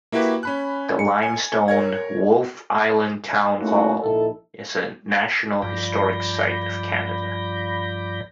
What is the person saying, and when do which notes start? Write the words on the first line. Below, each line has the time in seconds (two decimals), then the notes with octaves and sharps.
The limestone Wolfe Island Town Hall is a National Historic Site of Canada.
0.12 A#3 E4 F#4 G4 B4
0.43 C#4 B5 F#6
0.99 C#7
1.23 G#5
1.68 A#4 C#5 G#6
3.58 A3 A#3 C#4 D#4 E4 F#4
4.02 A#1 D#4 E4 A4
5.62 G2 F3 D5 B5 G6 A#6